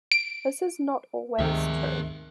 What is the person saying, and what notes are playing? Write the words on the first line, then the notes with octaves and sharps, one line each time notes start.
This is not always true.
D7
D2 G#2 C3 D#3 G#4 E5